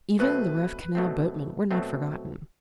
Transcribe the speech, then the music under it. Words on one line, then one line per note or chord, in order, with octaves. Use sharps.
Even the rough canal boatmen were not forgotten.
B2 F#3 A3 C4 B4
B2 F#3 A3 C4
B2 F#3 A3 C4